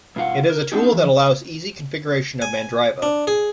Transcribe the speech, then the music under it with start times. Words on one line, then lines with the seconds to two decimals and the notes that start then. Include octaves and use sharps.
It is a tool that allows easy configuration of Mandriva.
0.16 G2 B2 F4 F5 F#5
0.50 A#4
0.72 B3 C4 D4 D#4 G4
0.92 E3 F3
2.42 G#5
3.02 D4
3.27 G#4